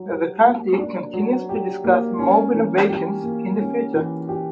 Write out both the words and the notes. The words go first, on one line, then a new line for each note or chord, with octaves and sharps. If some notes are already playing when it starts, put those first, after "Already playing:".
The county continues to discuss more renovations in the future.
Already playing: F#3
G4
A#3
D4
F#3
G4
A#3
C#4
E3
G4
A#3
C#4
E3
G4